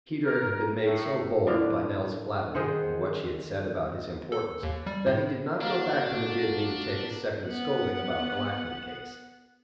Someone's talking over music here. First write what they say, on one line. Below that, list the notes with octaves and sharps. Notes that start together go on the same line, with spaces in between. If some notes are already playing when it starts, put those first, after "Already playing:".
Peter had been made so bold by Nell's flattery and what she had said about his importance, that he did not go back to McGivney to take his second scolding about the Lackman case.
A#4
A2
A2 D3 D4 F5
D#3 G#4 C5 F#5
A4
D#2
G3
A2
A#3 D4 F#4
B3 F#5